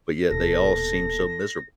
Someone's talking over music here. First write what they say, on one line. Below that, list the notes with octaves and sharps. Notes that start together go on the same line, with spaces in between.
but yet they all seem so miserable.
D#1 B2 A4 A#6